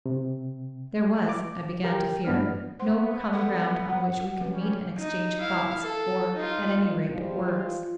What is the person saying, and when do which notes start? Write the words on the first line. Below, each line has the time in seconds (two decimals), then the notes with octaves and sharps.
There was, I began to fear, no common ground on which we could meet and exchange thoughts, or, at any rate, words.
0.06 C3
1.29 D6
1.84 G4 A#4 G5
2.25 G2 B3 D4 F6
2.79 B3 C5 F#5 C6
3.33 A4 F#5
4.40 F3 G3 C#4 B4
4.98 D#4
5.40 E4 F5
5.81 A4
6.36 D#4 F4
7.11 F3 G3 G#3 F4